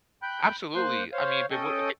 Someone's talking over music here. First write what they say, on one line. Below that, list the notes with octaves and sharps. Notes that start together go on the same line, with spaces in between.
Absolutely, I mean, but what okay.
G5 B5 F#6 G6
A#3 C5 C6 F#6
C5 C#5 F5
C#4 A4 D#5 G5 D#6